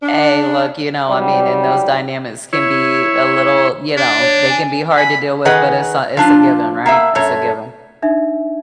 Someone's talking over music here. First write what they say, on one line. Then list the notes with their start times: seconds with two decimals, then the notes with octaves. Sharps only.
Hey, look, you know, I mean, and those dynamics can be a little, you know, they can be hard to deal with, but it's a it's a given, right? It's a given.
0.02 D4
1.09 G#2 F#3 G3
2.53 E4 C#5
3.97 D4
4.20 C#5
4.49 G#5
4.97 G#5 B5
5.45 D#3 G#4 B4 D#5 F#5 G#5
6.17 F3 D4 F4
6.86 A#3 B3 E5
7.15 F#2 A3 C#5
8.02 D4 D#4 E5